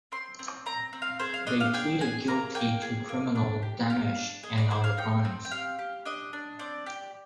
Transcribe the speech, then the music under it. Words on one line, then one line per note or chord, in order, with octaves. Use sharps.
They pleaded guilty to criminal damage and other crimes.
C4 C6
C4
C4 A#5
C4
F5
G#4 C5
F5
D4 D#5
F5
G#4 G5
G#4 G#5
A#3 A#5
A#3 G5
G#4
A#3
D4
G4
G4 F5
D4
G#4 D#5
D5
G#4 C5
F5
D#4 G5
C4
G5
G4 F5
G4
D4 D#5
D4
C4 D5
G4